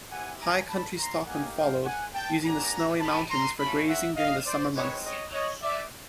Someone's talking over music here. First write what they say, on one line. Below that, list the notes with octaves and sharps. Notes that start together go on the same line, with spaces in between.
High-country stockmen followed, using the Snowy Mountains for grazing during the summer months.
C4 E4 G4 F#5 G#5
G#5 A#5
A5 B5
A#5 C6
A#3 D#4 G4 F#5 G#5
F5 G5
F#5 G#5
G5 A5
B3 D4 G4 G#5 A#5
A5 B5
A#5 C6
A3 C#4 F4 A5 B5
E5 F#5
D#5 F5
C5 D5
G#3 C4 D#4 B4 C#5
C#5 D#5
C#5 D#5
D5 E5